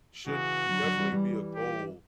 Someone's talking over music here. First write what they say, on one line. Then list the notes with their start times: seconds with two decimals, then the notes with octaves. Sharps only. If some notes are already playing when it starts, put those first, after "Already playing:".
should definitely be a goal
0.26 C#3 E3 F#4
0.69 D3 F#3
0.83 D3 F#3
0.98 E3 G3
1.12 E3 G3
1.55 G4